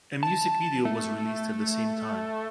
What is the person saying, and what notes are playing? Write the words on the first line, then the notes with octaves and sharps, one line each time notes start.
A music video was released at the same time.
A5
A3